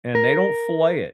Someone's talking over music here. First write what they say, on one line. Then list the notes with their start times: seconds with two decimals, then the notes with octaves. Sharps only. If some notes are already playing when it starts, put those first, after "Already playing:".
and they don't fillet it.
0.15 A#4